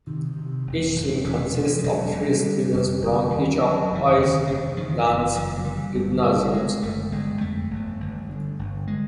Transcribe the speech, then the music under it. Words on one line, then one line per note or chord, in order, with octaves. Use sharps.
Each team consists of three students from each of Iceland's gymnasiums.
C3 D#3
C3
E1
E1
E1 E3
C3 F3
F3
E1 F#3
C3 G3
D3
F1
F1
D#2
D3 F#3
F1
E3
D#3
D#2 D3
F1 D3
F2 D#3
F#1 E3
F#1 F3
F3
F#3
D3 G3
F#1
F#1
D3 G#3
F#1 A3
G1 G#3
F2 A3
G1
G1
D3
G1
D3 G#3